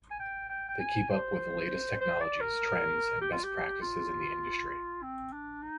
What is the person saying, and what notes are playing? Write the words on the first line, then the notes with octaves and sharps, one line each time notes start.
They keep up with the latest technologies, trends, and best practices in the industry.
G#5
G5
G5
G5
G#5
C5
C5
D5
A#4
G4
F4
G4
F4
C4
D4
D#4